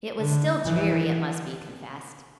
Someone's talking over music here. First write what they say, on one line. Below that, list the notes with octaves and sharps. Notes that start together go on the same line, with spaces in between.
It was still dreary, it must be confessed.
D3
E3